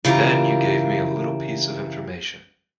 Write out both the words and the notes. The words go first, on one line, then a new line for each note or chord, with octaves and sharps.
Then you gave me a little piece of information.
C#3 E3 F4 G4 A#4